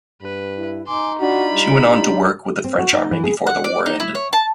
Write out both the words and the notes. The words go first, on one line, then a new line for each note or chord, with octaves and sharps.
She went on to work with the French army before the war ended.
G2 B4
E4
D#4 G#5 C6 D6
D4 F4 F#4 B5
G3
D4 G4
C4
F#4
D#4
E3
G#4
F#5
D5
D#4
E4
C#5
A5